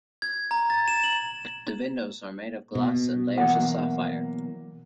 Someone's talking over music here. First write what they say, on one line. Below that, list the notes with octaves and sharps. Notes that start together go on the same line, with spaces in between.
The windows are made of glass and layers of sapphire.
G#6
A#5
A6
E7
F#7
B2
E3 F#3 A#3 F#5